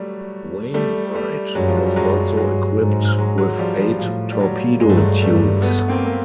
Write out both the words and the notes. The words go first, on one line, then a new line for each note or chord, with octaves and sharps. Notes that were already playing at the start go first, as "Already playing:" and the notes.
"Wainwright" was also equipped with eight torpedo tubes.
Already playing: F#3 G3 A3
G3 A3
G3 A3
F#2 F#3 G#3
F3
F#3
G3
F#2 F#3 G#3
G2 F#3 G#3
G#2
F#3 G#3
F#3 G#3
F3 G3
F3
A2 F3
G3
F#3
G2 G#3
A3
F#3 G#3
G2 G3 A3
A3 B3
A#3 C4
A#3